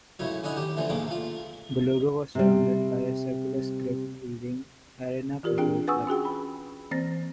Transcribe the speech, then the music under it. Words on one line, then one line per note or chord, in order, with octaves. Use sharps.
The logo was surrounded by a circular script reading, "Arena Football Club".
C#2 F#2 C#3 A3 E4 C#5
D3 C#4 D#4 E4 F#5 C#6
D#3 G4
D3 E3 F3 A3
B1 G#2 C#3 A#3 D6
A3 F4
C3 G3
E3 F4 G4 A#4 D5
C4 D4 F4 G#4 G5
B4 F#5 G#5 C#6 D#6 E6
C#4 F#4 G#4 G5
B5
E3 A#3 C4 C5 A6 A#6